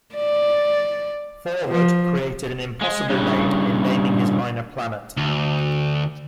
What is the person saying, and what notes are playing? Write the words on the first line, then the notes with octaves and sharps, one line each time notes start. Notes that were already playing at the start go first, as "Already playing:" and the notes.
Forward created an impossible name in naming his minor planet.
D5
F3
G#3
G2 C#3
D2